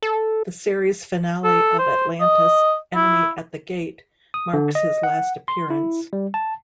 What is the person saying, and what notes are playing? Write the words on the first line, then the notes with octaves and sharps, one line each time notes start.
The series finale of "Atlantis", "Enemy at the Gate", marks his last appearance.
A4
A4
C5
D#5
E4
D#6
D3
D#5
F#5
C6
E4
G3
A5